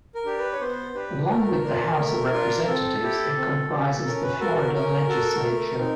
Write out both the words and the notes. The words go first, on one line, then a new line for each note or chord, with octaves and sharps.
Along with the House of Representatives, it comprises the Florida Legislature.
A#4
D4 G4
B4
C#5
B3 C5
D4 G4 B4
B4
A3 A#4
D4 F4
A3
D4 F4
C4 A4
E4 G4
C4
E4 G4
C#4 A#4
B4
F#4 A4 A#4
A4
A#4
C#4 A#4
F#4 A4
A3
C4 D#4